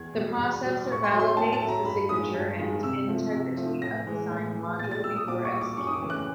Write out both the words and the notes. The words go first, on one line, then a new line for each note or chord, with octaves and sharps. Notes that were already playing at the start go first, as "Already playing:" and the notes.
The processor validates the signature and integrity of the signed module before executing it.
Already playing: E2 G#6
B2 G3
E2
B2 G3
A2 C#6
C6
F#3 A3
C6
A2 A5
A5
F#3 A3
A#5
G2 B5
D#3 G#3 D#6
G2
D#3 G#3
C3 E6
F3 A3
C3
F3 A3
A2 A#6
E3 G#3
A2
E3 G#3
A#2 A6
A6
G3 E6
D#6
A#2 D6
C#6
G3
D6
F#2 C#6
D#6
D6
C#3 E3 A3
F#6